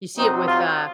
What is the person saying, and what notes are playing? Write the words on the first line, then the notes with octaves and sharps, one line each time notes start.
You see it with uh,
C3 F#3 C4 D#4
F4